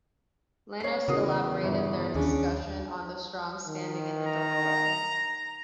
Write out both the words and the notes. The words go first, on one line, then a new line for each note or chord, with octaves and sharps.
Lanois elaborated their discussion on the song "Standing In The Doorway".
C#5 C7
E2 C#3 F#4 A#4 D#6
G1
D#2 C#3 D4
D#3
A#5